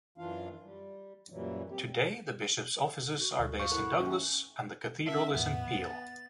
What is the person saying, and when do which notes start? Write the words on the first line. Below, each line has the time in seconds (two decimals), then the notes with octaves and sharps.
Today, the bishop's offices are based in Douglas and the cathedral is in Peel.
0.18 F#2 E3 D4 F4 F5
0.63 G3
1.30 F#2 A#2 E3 F#3 G3
1.69 C4 G4
3.18 F#4
3.39 D2
3.60 G2 F3 C#6
3.72 E2 B3 E4 F#4 A4 A#4
3.98 D#2 D#3 E3 C#4 G5
5.06 C#4 A#4 E5 A5
5.34 E2 A2 E3 B3
5.80 A6